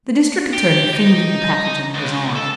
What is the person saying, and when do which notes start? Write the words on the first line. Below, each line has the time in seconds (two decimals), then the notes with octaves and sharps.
The district attorney fingered the package under his arm.
0.53 G4
0.93 D#4
1.94 C#2
2.35 A4